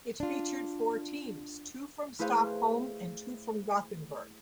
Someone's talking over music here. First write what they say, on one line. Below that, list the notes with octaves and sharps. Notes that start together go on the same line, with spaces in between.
It featured four teams, two from Stockholm and two from Gothenburg.
D4 F4
A3 E4 G#4 B4 C5 F5